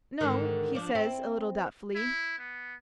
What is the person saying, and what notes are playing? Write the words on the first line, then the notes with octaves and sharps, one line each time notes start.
"No," he says, a little doubtfully.
G#2 D3 D#3
F3 D4
C4 E4
E4
B3